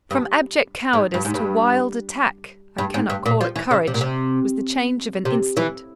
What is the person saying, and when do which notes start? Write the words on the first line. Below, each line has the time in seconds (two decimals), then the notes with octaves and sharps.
From abject cowardice to wild attack--I cannot call it courage--was the change of an instant.
0.11 G2
0.93 G#2
1.14 G2
1.25 G#2
1.34 G2
2.78 G2
2.94 G#2
3.10 G2
3.26 A#2
3.41 F3
3.56 E3
3.71 C#3
3.87 C3
3.94 A#2
4.01 C3
5.25 C3
5.57 E3